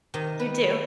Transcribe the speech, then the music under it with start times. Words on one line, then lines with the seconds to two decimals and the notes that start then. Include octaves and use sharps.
You, too.
0.14 C3 D#3 D#4 D#5
0.39 B4